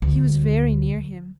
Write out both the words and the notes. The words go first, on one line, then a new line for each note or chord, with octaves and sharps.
He was very near him.
D2